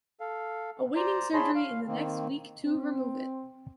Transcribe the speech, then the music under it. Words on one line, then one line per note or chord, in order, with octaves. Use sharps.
Awaiting surgery in the next week to remove it.
A4 F5
C5 D5 A#5
E4 G#4 C#5 A5 B5 C6
F5
D#3 A#3 C4
C4